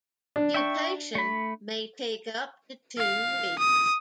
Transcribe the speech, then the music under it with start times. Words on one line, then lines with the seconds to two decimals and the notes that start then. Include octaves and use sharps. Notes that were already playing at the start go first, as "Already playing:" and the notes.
Pupation may take up to two weeks.
0.36 D4
0.54 E5 G5 C#6
1.15 A3 B5
2.98 F5
3.59 D#6